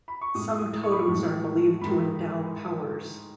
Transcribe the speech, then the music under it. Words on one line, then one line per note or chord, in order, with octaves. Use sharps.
Some totems are believed to endow powers.
B5
C#6
A2 G#3 D#6
D#6
C#6
B5
C#6
A2 E3 G#3
G#2 D#3 G#3 B5